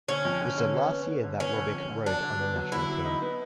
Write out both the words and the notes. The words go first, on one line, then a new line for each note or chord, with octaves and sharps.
It was the last year that Robic rode on the national team.
D3 C#4
F2
D3
D3
B3
B3
B3
D3
B3 C#4
D3
F2
D3
F#3 D4
D3
B3
F#3
D3 E4
F#3
D#4
B3